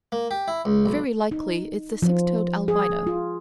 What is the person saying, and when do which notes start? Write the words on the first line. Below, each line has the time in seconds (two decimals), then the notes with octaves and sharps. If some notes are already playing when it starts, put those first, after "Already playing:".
Very likely it's the six-toed albino.
0.12 A#3
0.31 G4
0.48 E4
0.65 C#2
0.86 B1
1.31 D#4
2.02 F3
2.68 G#4
3.07 F4